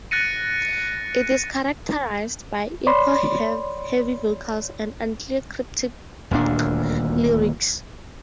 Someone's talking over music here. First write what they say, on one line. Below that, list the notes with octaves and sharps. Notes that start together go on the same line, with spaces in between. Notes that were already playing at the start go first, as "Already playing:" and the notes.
It is characterized by echo-heavy vocals and unclear cryptic lyrics.
F#6 A6 A#6 C#7 D#7
C#5 D5 B5 C6
D#1 D2 A#2 D4